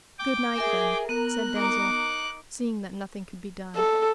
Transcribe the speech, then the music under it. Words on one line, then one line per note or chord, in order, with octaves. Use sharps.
"Good-night, then," said Denzil, seeing that nothing could be done.
G5 D6
G#4 A#4 E5
B3 A#4 F#6
D#4 D6
A4